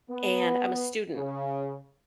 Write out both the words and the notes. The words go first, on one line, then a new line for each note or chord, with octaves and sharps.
and I'm a student.
B3
C#3